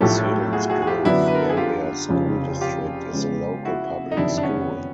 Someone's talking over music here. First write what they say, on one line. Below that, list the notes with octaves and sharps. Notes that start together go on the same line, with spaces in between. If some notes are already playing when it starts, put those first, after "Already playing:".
Selinsgrove Area School District is the local public school.
B1 A2 F3 A3 G4 A4
F#4 G#4
F#4 G#4
G#4
F4 G4
F#2 D3 F#3 B3 D4 E4 F#4
B4
A#4
A4
G#4
F4 G4
F1 F2 C#3 F3
F4 G4
C#3 F3 G#3 B3
E4 F#4
D#4
F#1 F2 C3 D#3 D4 E4
D4
B3 C#4